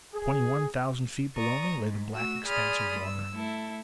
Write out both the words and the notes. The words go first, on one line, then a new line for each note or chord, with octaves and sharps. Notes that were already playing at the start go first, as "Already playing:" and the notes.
Twenty-one thousand feet below me lay the black expanse of water.
G#4
D5 A#5 C#6 D#6
G#2
A3 F#4 E6
G#4 D5 B5 C6 D#6 F6
G2 E6
A3 E4 A4